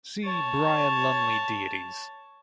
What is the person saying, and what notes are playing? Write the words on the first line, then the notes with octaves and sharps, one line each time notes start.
See Brian Lumley deities.
C#5 A5